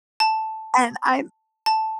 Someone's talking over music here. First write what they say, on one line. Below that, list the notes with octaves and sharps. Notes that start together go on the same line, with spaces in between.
And I'm
A5
A5